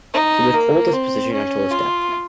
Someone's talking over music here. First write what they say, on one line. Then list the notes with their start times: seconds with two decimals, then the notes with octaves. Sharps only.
He would hold this position until his death.
0.13 D#4
0.54 A#3
0.93 C4
1.32 C#4
1.72 F4